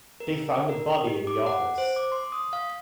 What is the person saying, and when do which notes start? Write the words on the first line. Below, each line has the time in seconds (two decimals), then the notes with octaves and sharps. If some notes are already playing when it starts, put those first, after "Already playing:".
They've found a body in the office.
0.20 A#4
0.69 A#4
1.07 G4
1.27 D6
1.46 F#5
1.78 C5
1.96 D6
2.12 C6
2.32 D#6
2.53 F5